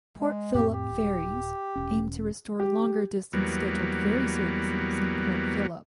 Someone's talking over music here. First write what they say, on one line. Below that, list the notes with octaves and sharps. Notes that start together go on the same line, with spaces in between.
Port Phillip Ferries aimed to restore longer distance scheduled ferry services on Port Phillip.
G#3
F2 A2 C4 G4
G4
D#1
E1 C#4
G4
E2 F#3 G3 A#3 B3